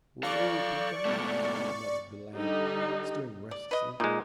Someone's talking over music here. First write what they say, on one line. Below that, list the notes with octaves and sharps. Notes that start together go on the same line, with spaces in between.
"Whoa, Pink-eye!" muttered the lad, stirring restlessly.
A4 D5 F5 C#6
G#2 B2 A3
D3 G3 D#4
D5
B4 D#5
A#2 G#3 D#4